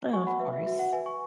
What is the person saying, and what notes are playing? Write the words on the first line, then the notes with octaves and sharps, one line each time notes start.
Oh, of course.
F#4 G#5 C#6
F#5 B5
B4 E5
E5
F#4 E5
F#5
B4 E5 G#5
G#5 C#6